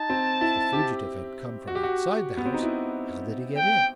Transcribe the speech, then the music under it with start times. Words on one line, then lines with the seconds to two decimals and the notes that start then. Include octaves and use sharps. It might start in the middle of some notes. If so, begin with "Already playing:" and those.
If the fugitive had come from outside the house, how did he get in?
Already playing: D#4 A5
0.10 C4
0.41 E4
0.73 G4
1.67 F#4
1.75 G4
1.83 F#4
2.37 B3
2.46 C4
2.54 D#4
2.62 E4
3.57 G5